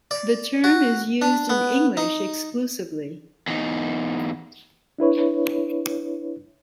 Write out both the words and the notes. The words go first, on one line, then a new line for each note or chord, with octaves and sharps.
The term is used in English exclusively.
D5
F#4
D4
B3
D#4
E2 D#4
D4 E4 B4 C#5